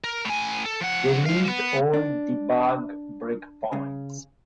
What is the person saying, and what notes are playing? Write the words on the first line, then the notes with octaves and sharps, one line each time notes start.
Delete all debug breakpoints.
A#4
A2 G#5
A4
F3 F#5
G#3 F5
B3
D4
C#3